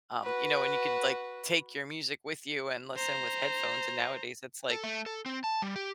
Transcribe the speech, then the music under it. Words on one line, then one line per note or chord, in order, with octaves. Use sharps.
um, you know, and you could, like, take your music with you and listen with headphones, and nowadays, it's, like
F#4 B4
C5 A#5
A4
A3
A4
C4
A5
G3
G4